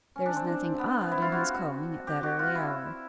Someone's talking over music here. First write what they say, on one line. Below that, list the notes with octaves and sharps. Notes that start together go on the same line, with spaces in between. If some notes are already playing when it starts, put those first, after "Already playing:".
There is nothing odd in his calling at that early hour.
C#4
D4
C4
B3
C4
E4
F4
F#4
G4
F#4
F4
E4